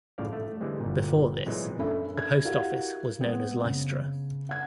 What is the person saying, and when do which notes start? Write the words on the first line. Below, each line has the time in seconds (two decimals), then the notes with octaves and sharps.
Before this, the post office was known as "Lystra".
0.18 F#2 A2 C#3 F3 D5 F5
0.33 A3
0.61 D3 E3 G3 G#3 C4
0.80 G1 A#2
1.46 A#2 E3 F#3 G#3 C4
1.79 C#4 D4 A4 A#4 E5 B5
2.17 G#6
2.45 E4 F#4 G4 A#4 F5 F#5
3.20 G#3 B3 C4
3.64 C#3
4.49 F#5 G#6